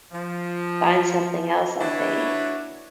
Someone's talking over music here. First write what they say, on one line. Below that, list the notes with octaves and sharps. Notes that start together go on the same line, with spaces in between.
find something else, I think.
F3
D4 E4 F#4 B4 C#5